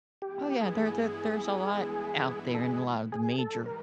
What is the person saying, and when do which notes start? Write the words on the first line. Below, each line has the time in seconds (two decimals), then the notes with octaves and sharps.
Oh, yeah, there there there's a lot out there, and a lot of the major
0.22 G2 E3 G#3 B3 E4 G4
0.61 G#4
2.55 A4
2.60 G#4
3.12 G#4
3.38 G#2 E3 G3 A4
3.66 A#4